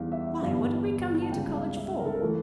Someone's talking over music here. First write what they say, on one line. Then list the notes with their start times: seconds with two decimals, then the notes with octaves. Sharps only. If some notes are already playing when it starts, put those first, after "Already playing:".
Why, what did we come here to college for?
Already playing: E2 E3 G3 F5
0.12 E5
0.42 G1 G2 E3 G3 F5
1.22 A5
1.31 C#2 C#3 G3 G5
1.54 F5
1.76 E5
1.99 A#4
2.05 A4
2.14 A#4
2.20 E3 A3 A4